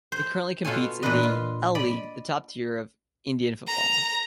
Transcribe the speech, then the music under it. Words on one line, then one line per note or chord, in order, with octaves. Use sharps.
It currently competes in the I-League, the top tier of Indian football.
C5
B2 F4 A4 C#5 G#5
A#2 E3 D4 F4 B4 D#5
F4
D5 D#5 B5
A#5